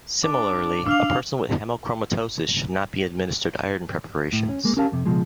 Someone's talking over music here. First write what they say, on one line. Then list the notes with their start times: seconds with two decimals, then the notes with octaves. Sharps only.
Similarly, a person with hemochromatosis should not be administered iron preparations.
0.24 D4 D6
0.86 D4 F5 E6 F6 F7
4.33 A2
4.49 C#4
4.65 G#3 A#3
4.77 C#4 G4 A#4 F5 A5
4.92 F2 C3
5.05 C#2 G2 B2 F3 G#3